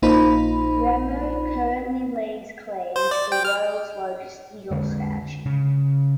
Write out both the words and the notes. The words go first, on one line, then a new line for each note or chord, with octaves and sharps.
Remer currently lays claim to the World's Largest Eagle statue.
A#1 A#3 D#4 F4 C5 B5
C5
D5
G5
F6
D3 G#3
C#3